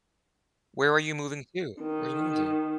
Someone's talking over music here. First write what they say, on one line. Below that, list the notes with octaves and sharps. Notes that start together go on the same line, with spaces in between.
Where are you moving to? Where you moving to?
D#3